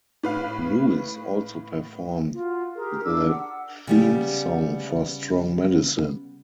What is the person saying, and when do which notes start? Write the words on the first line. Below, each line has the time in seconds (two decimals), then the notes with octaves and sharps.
Lewis also performed the theme song for "Strong Medicine".
0.23 A2 B4 F5
2.33 F4 F#4
2.75 G4 G#4 A#4
3.03 D4 D6 E6
3.28 F#5
3.87 C#3 G3 B3